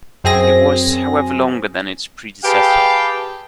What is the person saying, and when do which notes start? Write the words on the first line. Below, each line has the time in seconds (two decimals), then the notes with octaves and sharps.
It was, however longer than its predecessor.
0.24 F#2 C4 G#4 A#6
2.44 G4 G#4 B4 F5 G5 A5